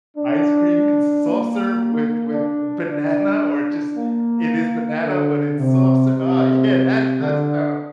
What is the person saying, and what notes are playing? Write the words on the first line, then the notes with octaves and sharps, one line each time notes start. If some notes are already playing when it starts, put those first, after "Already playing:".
Ice cream consists of soft serve with with banana or just it is banana, but it's soft serve oh, yeah. That does sound o
D4
A#3
D4
D4
A#3
D3
C3
C3
D3